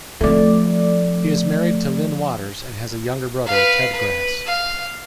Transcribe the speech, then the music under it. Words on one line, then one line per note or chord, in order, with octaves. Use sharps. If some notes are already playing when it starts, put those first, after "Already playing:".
He is married to Lynne Waters and has a younger brother, Ted Grass.
F3 A3 C4 D5
B4 F5
B4
F5